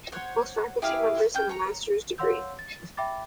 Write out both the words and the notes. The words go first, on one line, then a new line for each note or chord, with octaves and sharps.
Most faculty members have a master's degree.
C5 C#5 F#5
E4 G4 G#4 F5
C#4 G5 G6
C#5 A#5
C#5 F5 F#5 C6 E6 G6
A6
E5 G5 B5 D6 A6